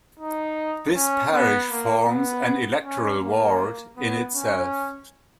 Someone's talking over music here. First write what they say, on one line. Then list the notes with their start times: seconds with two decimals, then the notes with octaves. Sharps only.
This parish forms an electoral ward in itself.
0.19 D#4
0.95 C#4
1.33 B3
1.71 A#3
2.08 B3
2.84 C#4
3.21 A#3
3.97 B3
4.34 C#4